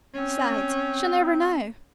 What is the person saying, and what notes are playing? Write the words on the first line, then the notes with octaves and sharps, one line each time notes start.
Besides, she'll never know.
C4 C#4